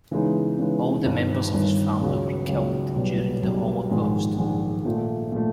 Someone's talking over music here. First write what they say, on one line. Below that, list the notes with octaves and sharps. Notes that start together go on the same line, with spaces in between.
All the members of his family were killed during the Holocaust.
C#3 E3 G#3 B3 D#4
C#3 E3 G#3 B3 D#4
G1 G2 D#3
G1 G2 D#3
C#2 C#3 F#3
C#2 C#3 F#3
B1 B2 G3
B1 B2 G3
A#1 G#2 D#3 G#3
A#1 G#2 D#3 G#3
A#2 F3 A3
A#2 F3 A3